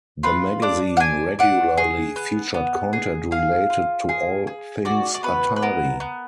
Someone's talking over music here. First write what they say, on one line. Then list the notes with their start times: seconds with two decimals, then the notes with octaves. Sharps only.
The magazine regularly featured content related to all things Atari.
0.23 F4 B4
0.62 D4 D5
0.97 F#5
1.00 D4 G#5
1.39 D4 F#5
1.77 G#4
2.16 B3
2.54 B3
2.93 G#4
3.31 G#4 F5
3.70 F4
4.09 G#4
4.47 G#4
4.85 F#4 D5
5.14 D5
5.23 B3 B4
5.56 B4
5.62 B3 A#4
6.00 B3